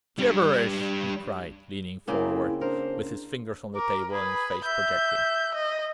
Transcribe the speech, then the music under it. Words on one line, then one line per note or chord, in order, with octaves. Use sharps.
"Gibberish!" he cried, leaning forward, with his fingers on the table and his face projecting.
G3 D4
C#3 A#3 C4 E4 G#4
D4 A#4 C5
A#4 D6
G#4 B4
E5 G6
D#5